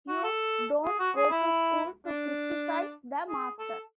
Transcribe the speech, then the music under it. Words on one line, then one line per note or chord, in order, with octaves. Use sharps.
You don’t go to school to criticize the master.
F#4
A4
G#4
F#4
G#4
E4
D4
G#4
A4